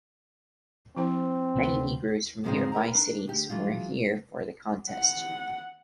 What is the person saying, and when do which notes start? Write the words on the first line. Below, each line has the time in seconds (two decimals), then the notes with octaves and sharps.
Many negroes from nearby cities were here for the contest.
0.97 F3 C4 E4 C5
1.56 D2 C3 B3
2.44 G#2 C3 F3 G#3 B3 C4
2.72 A#4 B4 G5 A#5
2.95 D4
3.27 D2 G4
3.50 E3 F#3 G#3 F4
4.92 F#5